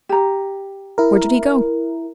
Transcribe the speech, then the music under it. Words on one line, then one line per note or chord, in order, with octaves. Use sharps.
Where did he go?
G4 A#5
E4 A#4